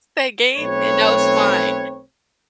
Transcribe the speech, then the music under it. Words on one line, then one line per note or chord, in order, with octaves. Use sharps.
That game, and that was fine.
B1 A3 C4 B4 C#5